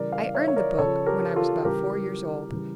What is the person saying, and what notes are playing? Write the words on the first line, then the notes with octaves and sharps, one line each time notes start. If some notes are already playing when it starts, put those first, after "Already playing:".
I earned the book when I was about four years old.
Already playing: C#3 E3 G3 A#4 D5
D5 F5
C#5 E5
C#5
A#4 D5
C#3 F3 A4 C#5
G4 A#4
F4 A4
C#3 E3 G3 G4 A#4
C#3 E3 G3